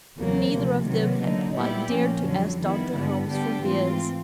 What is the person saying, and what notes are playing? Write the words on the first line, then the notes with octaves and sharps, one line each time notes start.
But neither of them had quite dared to ask Doctor Holmes for his.
E2 C#3 F#3 A#3
D2 C3 F3
C3 D#3 F#3 B3
D3 F#3 A#3 D#4
A#2 G3 B3 E4 G4
A#2 F3 A#3 C#4
F2 D3 F#3
D#3 G3 B3 E4
G2 D3 G3 B3
D3 G3 B3 D4 G4
G#2 E3 A3 C4 F4